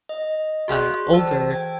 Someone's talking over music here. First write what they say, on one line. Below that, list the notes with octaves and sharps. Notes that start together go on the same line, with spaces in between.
uh, older,
D#5
F#4 G#4 D5 C6 F#6
E3 C5 A5 E6
G5 G#6